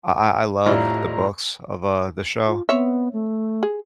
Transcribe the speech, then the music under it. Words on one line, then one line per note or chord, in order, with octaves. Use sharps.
I I I love the books of, uh, the show,
G#1 F2 A2 G3 D4 E4 F4 A#5
F4
B3 C4 C#5 E5
A3
G#4